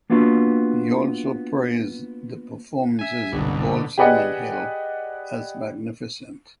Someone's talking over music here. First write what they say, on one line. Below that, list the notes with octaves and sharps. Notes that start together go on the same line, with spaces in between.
He also praised the performances of Balsam and Hill as "magnificent".
A#3 B3 D4 F4 F#4 B4
E5 G#5
G1 C2 B2 D3
G4 G#4 B4 D5 D#5 F#5